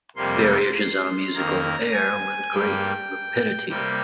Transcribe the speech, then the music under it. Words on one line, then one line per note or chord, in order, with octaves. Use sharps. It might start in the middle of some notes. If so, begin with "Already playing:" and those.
Variations on a musical air With great rapidity.
F2 C3 G3 A#3 C6
C6
F2 D#3 A#3 A#5
G#5
G2 G3 A#3 G5
C3 G3 A#3 G5